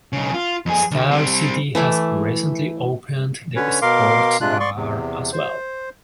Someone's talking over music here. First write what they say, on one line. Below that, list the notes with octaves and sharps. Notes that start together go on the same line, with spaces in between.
Star City has recently opened the sports bar as well.
B1 C#3
F4
F2 G#4
D2
G3 C4
E3 A3 E4 D6
D3 C#4 B4 C#5
B2 A#4 F5 C6 D6
C3 G#3 D4 F4 F#6
D5 C6 C#6
E2 C3
C5